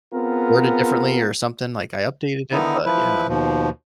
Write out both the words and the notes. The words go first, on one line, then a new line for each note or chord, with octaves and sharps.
worded differently or something, like, I updated it, but yeah.
B3 C4 F4 G#4 A#4
D3 D#3 B3 D#4 E4
F3 E4 B4
D#2 B2 F3